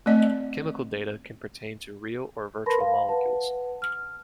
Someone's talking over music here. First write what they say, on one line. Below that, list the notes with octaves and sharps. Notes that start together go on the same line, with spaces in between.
Chemical data can pertain to real or virtual molecules.
A3 C4 D5 D#5
A#4 B4 A5 B5 C6 A#6
F5
B4 F#5 A5
F6